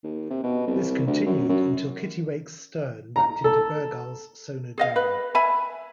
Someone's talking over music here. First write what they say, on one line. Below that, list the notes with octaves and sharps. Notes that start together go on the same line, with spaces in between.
This continued until "Kittiwake"s stern backed into "Bergall"s sonar dome.
D#2
C3
B2
C2
D2
F#2
F#2
A#5
A4
G#4 D#5 F5
B4
E5 G#5 B5